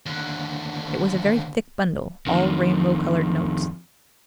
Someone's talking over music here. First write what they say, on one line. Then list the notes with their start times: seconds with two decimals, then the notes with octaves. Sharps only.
It was a very thick bundle, all rainbow-colored notes.
0.06 D#2 D3
2.26 F2 D#3